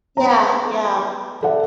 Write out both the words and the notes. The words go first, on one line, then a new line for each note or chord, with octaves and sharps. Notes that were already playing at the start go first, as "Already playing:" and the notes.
Yeah, yeah.
B3 A#5
A4 D5 E5 F#5